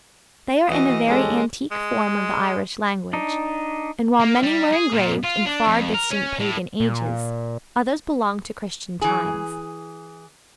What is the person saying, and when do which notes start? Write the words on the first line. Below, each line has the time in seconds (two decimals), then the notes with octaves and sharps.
They are in a very antique form of the Irish language; and while many were engraved in far distant pagan ages, others belong to Christian times.
0.69 E3 F#4 D#5 D#6
1.08 G#3 C#4 G4 A4
1.71 G#3
3.13 D4 D#4
4.20 A#3
4.43 G3
4.72 G#4
4.92 A#2
5.24 F4
5.46 D4
5.67 F2
5.94 A#4
6.11 C#4
6.39 A2
6.80 A#2
9.01 E3 G#4